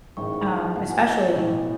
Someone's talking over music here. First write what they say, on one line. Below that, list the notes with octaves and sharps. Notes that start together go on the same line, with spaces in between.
um, especially
A1 G#2 D#3 C#6
A5
A2 F#3 B3 F#4 F#5
G#5
D#5
C#5
B1 A2 E3 D#5